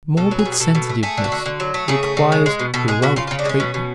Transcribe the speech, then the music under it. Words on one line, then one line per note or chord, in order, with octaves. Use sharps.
Morbid sensitiveness requires heroic treatment.
B2 A4
F#3
G#4
B2
G#4
B2 A4
B2
A3
A3 G#4
D3
F#4
D3
D3
F#3
A3
C#3 G#4
A3
C#3
G#3
G#3
B2
B2 A4
G#3 G#4
B2 F#4
C#3 F4
F4
C#3
D4
G#3 C#4
B2
B2